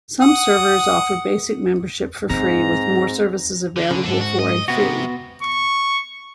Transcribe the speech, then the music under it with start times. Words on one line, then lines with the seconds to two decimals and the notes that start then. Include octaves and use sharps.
Some servers offer basic membership for free, with more services available for a fee.
0.22 F#5 D#6
2.30 G#2 C4 A#5
3.76 D3
3.91 C#3
4.03 E2 G#2 D4 A4
4.21 F#4
4.39 D#5
4.68 C3 B3 F#4
5.43 C#6